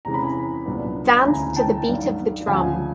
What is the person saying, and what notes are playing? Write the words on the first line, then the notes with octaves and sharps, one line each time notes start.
Dance to the beat of the drum.
E2 C3 E3 G#3 C#4 A#5
B5
G#5 A#5
C2 A#2 F#3 B3 D4
B5
D2 C#3 E3 G#5 A#5
G5 A5
G2 D#3 F#3
D2 C#3 F3 G#3 F#5 G#5